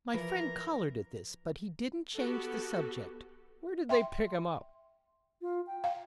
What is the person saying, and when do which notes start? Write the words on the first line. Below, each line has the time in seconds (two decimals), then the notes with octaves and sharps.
My friend coloured at this, but he didn't change the subject. "Where did they pick him up?"
0.14 E3 F3 A#4 B4
2.15 B3 F#4 G4 A4
3.89 E5 G5 C6
5.42 F4
5.67 G5
5.84 F5